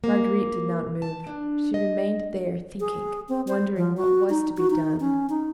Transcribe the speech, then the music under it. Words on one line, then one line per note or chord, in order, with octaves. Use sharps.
Marguerite did not move, she remained there, thinking . . . wondering what was to be done.
A#3
A5
D4
D#5
G#4
C4
C5
F3
F#4
D#4
F#4
D#4
C#4
D#4